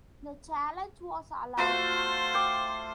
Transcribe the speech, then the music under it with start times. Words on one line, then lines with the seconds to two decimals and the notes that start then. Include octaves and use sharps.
The challenge was allowed.
1.57 A3 F4 F#4 C5
2.34 G5 D6